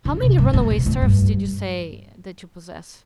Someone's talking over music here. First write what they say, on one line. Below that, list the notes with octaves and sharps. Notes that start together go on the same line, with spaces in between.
How many runaway serfs did you say that you possess?
D3
C3
G2
A2
B2
A2
G2